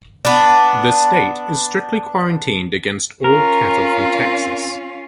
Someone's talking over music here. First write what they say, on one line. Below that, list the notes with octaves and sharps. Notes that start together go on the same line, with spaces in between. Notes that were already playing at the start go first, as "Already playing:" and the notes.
The state is strictly quarantined against all cattle from Texas.
B3 D4
C#4 F4 A#4